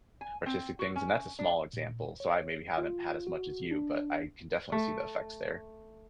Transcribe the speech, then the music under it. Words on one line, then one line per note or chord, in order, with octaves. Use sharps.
artistic things, and that's a small example, so I maybe haven't had as much as you, but I can definitely see the effects there.
G#5
C4
F#4
C#4
D4
A#2
C#5
F4
F#4
D4
A3